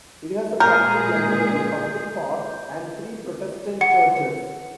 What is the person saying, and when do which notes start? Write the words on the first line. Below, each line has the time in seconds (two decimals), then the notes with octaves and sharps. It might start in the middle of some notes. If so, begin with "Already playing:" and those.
It has a public library, public park, and three Protestant churches.
0.60 A#2 G#3 G#4 A#4 G6
3.81 F#5 C#7